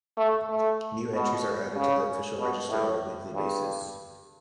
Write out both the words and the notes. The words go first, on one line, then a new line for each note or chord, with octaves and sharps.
New entries are added to the official Register on a weekly basis.
A3
A3
B2
C#3
B2
A2
G2